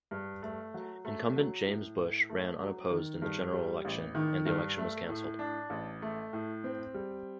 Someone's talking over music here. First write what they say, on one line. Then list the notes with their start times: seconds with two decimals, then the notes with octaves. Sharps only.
Incumbent James Bush ran unopposed in the general election and the election was canceled.
0.11 G2
0.43 A3
0.74 F#3
1.05 A3
1.36 F#3
1.66 A2
1.97 A2
2.29 A3
2.59 F#3
2.91 D#3
3.22 G2
3.53 G3
3.85 A1
4.15 D#3
4.46 G2
4.78 A3
5.09 A2
5.39 D4
5.70 A1
6.02 A3
6.33 A2
6.64 C4
6.94 G3